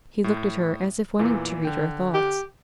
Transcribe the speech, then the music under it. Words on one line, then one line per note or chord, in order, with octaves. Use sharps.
He looked at her, as if wanting to read her thoughts.
A2
E2 A#2 E3
D3 G5
G4